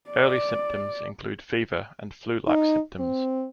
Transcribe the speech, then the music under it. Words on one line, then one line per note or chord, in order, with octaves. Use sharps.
Early symptoms include fever and flu-like symptoms.
D5
D#4
C4